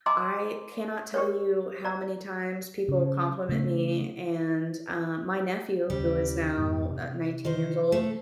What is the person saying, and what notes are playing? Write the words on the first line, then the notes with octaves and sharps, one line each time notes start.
I cannot tell you how many times people compliment me, and, uh, my nephew, who is now ni nineteen years old years old,
D#5 G#5 A#5 C6 D6 E6
G4 A#4 C#5
D5 A#5
C#3
C#3 A3
D#2 C#3 G3
F2 G#2 B2
C3
D#3 C5
A3 A#3